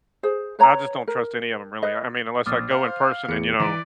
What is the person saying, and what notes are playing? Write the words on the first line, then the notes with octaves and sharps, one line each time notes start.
I just don't trust any of 'em, really. I mean, unless I go in person and, you know,
G#4 C5
B4 C#5 A#5
A#4
B4 D#5
A#1 D6 D#6 F6 A6
C5 F5
E2 C#7
E3 D5 A#5 B6 D7 D#7